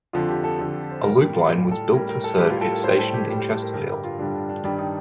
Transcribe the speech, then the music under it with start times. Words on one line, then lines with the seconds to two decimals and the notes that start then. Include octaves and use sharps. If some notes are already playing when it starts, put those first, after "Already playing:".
A loop line was built to serve its station in Chesterfield.
0.13 F2 D3 F3 F4
0.28 G4
0.44 A4
0.58 F2 D3 F3
0.91 C5
1.03 A2 G3 A#4
1.18 G4
1.34 F4
1.48 A2 G3 G4
1.71 A4
1.93 A2 G3 A#4
2.09 A#4
2.24 A4
2.38 A2 G3 G4
2.50 F4
2.61 A4
2.72 A#4
2.84 A2 G3 C5
2.99 A4
3.14 G4
3.29 A2 G3 G4
3.40 G4
3.51 A4
3.62 A#4
3.74 G2 D3 G3 A#4
3.89 G4
4.04 F4
4.19 G2 D3 G3 D4
4.34 D4
4.49 D4
4.64 G2 D#3 G3 D4
4.79 D#4